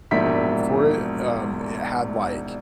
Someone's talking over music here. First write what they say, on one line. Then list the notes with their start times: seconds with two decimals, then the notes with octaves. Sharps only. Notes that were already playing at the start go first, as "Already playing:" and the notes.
for it, um, it had, like
0.11 E1 A#1 G#2 E5 B6